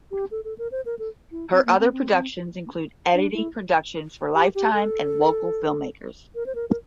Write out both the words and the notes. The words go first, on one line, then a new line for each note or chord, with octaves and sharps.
Her other productions include editing productions for Lifetime and local filmmakers.
G4
A4
A4
A#4
C5
A#4
A4
E4
C4
A#3
C4
C4
C4
D4
E4
G4
G4
A4
A#4
C5
A#4
A#4